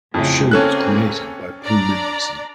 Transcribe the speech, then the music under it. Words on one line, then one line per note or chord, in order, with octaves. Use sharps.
The show was created by Paul Mendelson.
F2 A2 C#3 G#3
A#3 C4 C#4 G#4 A4 F#6
D4 D5 A#5